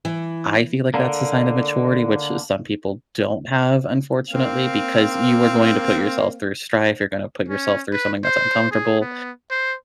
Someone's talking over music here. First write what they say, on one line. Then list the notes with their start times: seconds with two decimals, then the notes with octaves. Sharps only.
I feel like that's a sign of maturity, which just some people don't have unfortunately, because you are going to put yourself through strife, you're gonna put yourself through something that's uncomfortable,
0.05 E3
0.94 D3 A#3
4.31 A#3 C4 F5
7.48 C#4
7.92 B4
8.24 C5
8.71 G#4
9.01 B3
9.51 C5